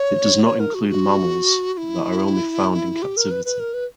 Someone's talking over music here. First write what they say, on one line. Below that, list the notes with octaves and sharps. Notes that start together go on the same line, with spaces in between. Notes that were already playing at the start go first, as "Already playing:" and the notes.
It does not include mammals that are only found in captivity.
Already playing: C#5
C#5
A#4
F#4
F#4
F#4
E4
G4
A#4
B4
B4
A#4
B4